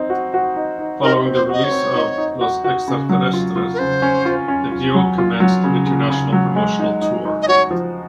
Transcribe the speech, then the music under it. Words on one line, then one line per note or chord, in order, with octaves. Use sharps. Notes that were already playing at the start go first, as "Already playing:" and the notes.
Following the release of "Los Extraterrestres" the duo commenced an international promotional tour.
Already playing: C4 D#4
F#4
F#4
D#4
D#4
D#4 A#4
C4
C5
F#4 D#5
C#5
C4
D#4
D#4
F#4
F#4
C#3
F#3
F4
F4
A#4
C#3 C5
C#4
F4
C#4
F4
F#3
F4
F#3
C#3
C#3
C#3
F#3
G#3
D#4
D#4
D#4
D#5
F#4 C#5
F3